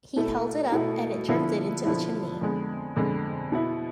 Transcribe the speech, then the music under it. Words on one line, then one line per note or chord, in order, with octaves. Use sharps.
He held it up, and it drifted into the chimney.
B2 A3 E4
B2 A3 E4
D3 F3 B3 E4
D3 F3 B3 E4
F2 D3 G#3 B3
F2 D3 G#3 B3
B2 B3 E4